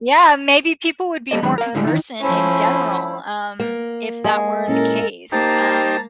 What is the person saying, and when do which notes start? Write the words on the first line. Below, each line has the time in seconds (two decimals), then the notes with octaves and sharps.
Yeah, maybe people would be more conversant in general, um, if that were the case, um,
1.31 G3 A#3 A4 D5 D#5
1.43 F#2 D#3 G#3 B3 B5
1.58 A#4 F5
1.75 A2 D3 G3 G#3
1.87 D#3 E3 D#4
2.21 F3 A3 C#4 E4 C5 B5
3.60 A#3
4.24 G#3
4.68 A#2 C#4 E4 A4 A#4
5.32 A#3 D#4 G4 C5 A5 A#5